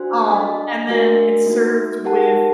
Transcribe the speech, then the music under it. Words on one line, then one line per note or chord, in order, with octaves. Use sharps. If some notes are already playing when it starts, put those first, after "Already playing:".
Um, and then, it's served with
Already playing: D4 F#4 C5
D4 A4 D#5
A3 D4 F#4 A#4
A#3 D#4 F#4
D#4 G4 A#4 F#5 A5